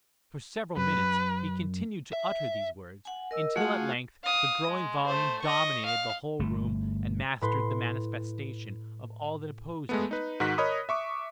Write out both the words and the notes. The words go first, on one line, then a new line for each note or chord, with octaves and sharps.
For several minutes he continued to utter these words, until at length the growing volume dominated the whole room and mastered the manifestation of all that opposed it.
F#2 B4
E5
F#5 G#5
A#4 D#5 E6
A3 F4 F#4 G#4 F#5
F5 D#6
G#3
A3 C5
D#5 C#6
F5
G1 A3
A2 B4 C6
G#3 A3 B3
D#4 B4
G#2 D#3 F#4 F#6 B6
A#4 C#5 D#5 B5 D#6
E5 C#6 D6